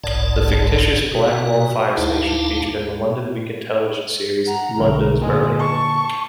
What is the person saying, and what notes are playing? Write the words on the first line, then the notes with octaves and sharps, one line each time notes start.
The fictitious Blackwall Fire Station featured in the London Weekend Television series "London's Burning".
F#1 B1 G#2 D5 A5
B2 F#4
D2 D#4 E4 F5 A5
F#5 A#5
B1 D3 G#3 A#4
A#2 D3 G#3
A5 C#6